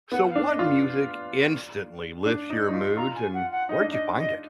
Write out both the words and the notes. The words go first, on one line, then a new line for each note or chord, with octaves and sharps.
So, what music instantly lifts your mood, and where'd you find it?
B3 F#5
F5
D4
D#5
F4
F5
D4
D#4
D#4
F4
F4 A#5
G#5
F#5
F#5
D#4 D#5
D4
D#4 D#5
D#5